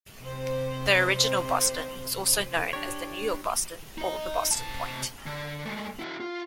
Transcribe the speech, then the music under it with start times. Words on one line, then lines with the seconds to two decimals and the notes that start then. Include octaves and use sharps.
The "original" Boston is also known as the New York Boston or Boston Point.
0.21 C3 C5
2.73 D4 G4 C#5
3.98 D#4 D#5
4.51 C3 A5
5.26 D3
5.66 G#3 A3
5.99 E4 F#4
6.20 F4